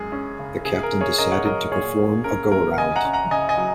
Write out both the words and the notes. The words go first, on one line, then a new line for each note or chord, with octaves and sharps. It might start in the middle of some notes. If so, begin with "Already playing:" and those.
The Captain decided to perform a go-around.
Already playing: F#2 G#3 G#4
C#4
C#3
C#3 G#4
A#4
C#4
G#4 C#5
C#3 A#4 D#5
C#5 F#5
F#3 A#4 D#5
A#2 G#4 C#5
A#3
C#4 A#4
F#3 A#4
C#3 D#5 G#5
F#5 A#5
C#4
F#5 A#5
C#3 D#5 G#5
D#5 G#5
F#3